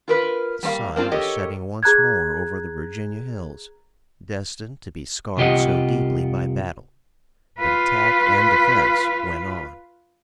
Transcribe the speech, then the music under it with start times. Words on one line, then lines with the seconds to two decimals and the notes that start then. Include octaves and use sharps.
The sun was setting once more over the Virginia hills destined to be scarred so deeply by battle, but attack and defense went on.
0.08 F4 A#4 B4
0.63 G3 A#3 C5 F5
0.96 A#3 C4 D4 F4
1.11 G4 A4 A#4 C#5 D#5 G5
1.83 G#4 A#5 F#6 G#6
5.37 C2 C3 F4 G4 D#5 F#5
7.58 F4 B4